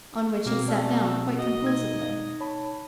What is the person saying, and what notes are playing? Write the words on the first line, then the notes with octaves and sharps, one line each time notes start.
On which he sat down quite composedly.
B2 A#3 C4
A3 D5 A5 F6
F#4 D#5
B2 D#4 G#6
C#5 A5 B5